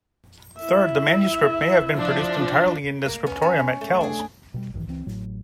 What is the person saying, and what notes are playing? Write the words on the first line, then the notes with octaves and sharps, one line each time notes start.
Third, the manuscript may have been produced entirely in the scriptorium at Kells.
E4 E5
F3 D4
A#3
B3 C#4
C#4
A3
D4 G#4
B2 F#3 G3
B1 G#2 D#3 E3
C#2 E3 C4
A1 A2 F#3